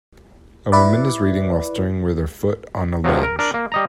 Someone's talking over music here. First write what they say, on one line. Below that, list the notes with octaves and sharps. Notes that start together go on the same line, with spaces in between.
A woman is reading while stirring with her foot on a ledge.
E4 B4 D5
C#2 C3 F3 F#3
A#4
D4 A#4
A#3
G3 D#5 A#5